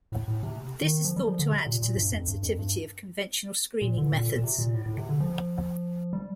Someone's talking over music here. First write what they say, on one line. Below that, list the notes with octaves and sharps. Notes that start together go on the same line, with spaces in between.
This is thought to add to the sensitivity of conventional screening methods.
A2
A2
C3
D#3
F3
G3
F3
D3
C3
A#2
A#2
G2
F2
G2
F2
G2
A#2
D3
A#2
A#2
C3
A#2
A2
A2
C3
D3
F3
G3